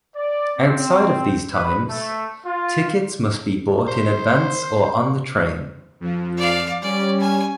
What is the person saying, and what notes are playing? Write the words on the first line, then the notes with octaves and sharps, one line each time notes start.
Outside of these times, tickets must be bought in advance or on the train.
D5
C4
B4
A3
F4
C5
F2 F3
D5 F5
G3 C#4 D5
G#5